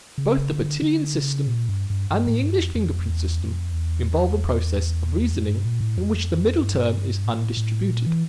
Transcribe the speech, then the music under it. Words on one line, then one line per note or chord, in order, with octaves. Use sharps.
Both the Bertillon system and the English fingerprint system involve a process of reasoning in which the middle term is undistributed.
C#3
D3
D3
C#3
A#2
G2
G2
G2
A2
G2
F2
F2
E2
F2
E2
F2
G2
A#2
A2
F2
G2
A2
A2
A#2
E3